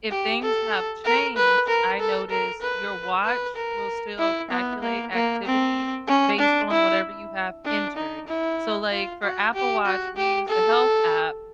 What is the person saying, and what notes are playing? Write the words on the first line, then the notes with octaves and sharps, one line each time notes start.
if things have changed, I noticed your watch will still calculate activity based on whatever you have entered, so, like, for Apple Watch, we use the Health app,
G4
A4
A#4
B4
A#4
A4
A#4
B4
B4
A#4
E4
B3
A#3
A#3
C4
C#4
D4
E4
D4
D#4
E4
F4
F#4
G4
F#4
G4
A4